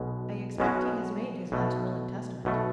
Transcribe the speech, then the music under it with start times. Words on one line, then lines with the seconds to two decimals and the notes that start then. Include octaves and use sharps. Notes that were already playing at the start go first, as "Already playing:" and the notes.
"I expect he has made his last will and testament."
Already playing: B1 B2 G#3
0.58 B1 B2 G#3 C#4 F#4
1.52 B1 B2 A3
2.45 B1 B2 A3